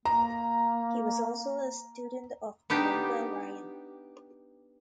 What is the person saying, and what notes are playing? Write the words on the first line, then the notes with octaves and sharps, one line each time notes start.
He was also a student of Columba Ryan.
A#3 A#5
B3 D4 D#4 G4